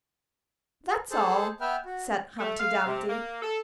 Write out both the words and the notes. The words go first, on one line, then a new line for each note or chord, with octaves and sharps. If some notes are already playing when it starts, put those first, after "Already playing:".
'That's all,' said Humpty Dumpty.
G#4 A4 C5 A5
B3 B4 E5 G5 F6
F#4
A3
F5
C3
A#3
A4